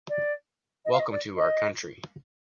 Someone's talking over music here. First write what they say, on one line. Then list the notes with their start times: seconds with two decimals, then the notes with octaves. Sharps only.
Welcome to our country.
0.09 D5
0.85 D#5
0.92 F5
0.99 D#5
1.11 D5
1.36 D#5